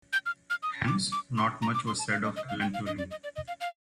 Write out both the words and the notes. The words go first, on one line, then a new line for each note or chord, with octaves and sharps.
Hence, not much was said of Alan Turing.
G6
F6
F6
D#6
D6
D6
C6
A#5
D6
C6
A5
F5
D#5
D#5
F5
G5
F5
D#5
D5
D#5
D5
D#5
F5
F5